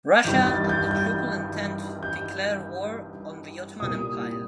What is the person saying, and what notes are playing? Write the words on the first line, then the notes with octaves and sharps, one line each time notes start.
Russia and the Triple Entente declared war on the Ottoman Empire.
A1 G2 D#3 G3 G6
A6
A6
G6
G6
G6
C2 A#2 G3 A#3 D#6